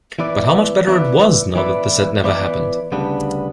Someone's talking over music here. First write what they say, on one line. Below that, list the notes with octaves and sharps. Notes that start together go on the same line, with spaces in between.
But how much better it was now that this had never happened!
E3 B3 E4 B4 D5
E3 B3 E4 B4 D5
E3 B3 E4 B4 D5
E3 B3 E4 B4 D5
D2 C#3 G3 B3 D4